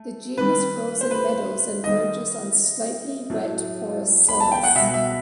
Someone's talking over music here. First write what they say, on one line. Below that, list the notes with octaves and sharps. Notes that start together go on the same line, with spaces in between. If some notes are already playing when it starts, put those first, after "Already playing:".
The genus grows in meadows and verges on slightly wet porous soils.
Already playing: A3
D#3 G3 B4
C5
B4
D#3 G3 D#5
A2 F#3 A3
B5
A5
G5
F#5
B2 G3 E5
E5